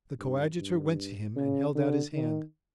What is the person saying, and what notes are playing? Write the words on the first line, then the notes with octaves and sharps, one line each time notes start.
The coadjutor went to him and held out his hand.
G2
G2
C#3
D3
D#3